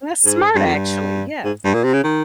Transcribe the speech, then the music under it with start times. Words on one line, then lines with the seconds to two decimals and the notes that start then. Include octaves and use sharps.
That's smart actually, yes.
0.24 G#2
0.55 G2
0.65 F2
0.74 G2
1.44 G#2
1.65 G2
1.74 A#2
1.84 C3
1.93 C#3
2.04 D#3